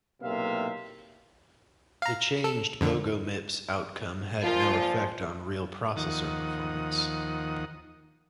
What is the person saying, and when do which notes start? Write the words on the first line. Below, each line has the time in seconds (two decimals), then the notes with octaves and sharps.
The changed BogoMips outcome had no effect on real processor performance.
0.21 B1 A2 C3 A#3 E5 F5
2.02 F5 A#5
2.44 A4
2.81 F2 D3
4.43 A#2 F3 F4
5.96 D#2 D#3 F3 F#5 D#6